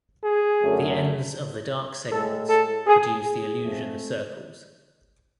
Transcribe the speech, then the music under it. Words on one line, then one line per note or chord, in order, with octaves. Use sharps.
The ends of the dark segments produce the illusion of circles.
G#4
F#2 D3 F#3 A3
A2 G#3 A4
A4
G#4
G#4
F2 F3 A3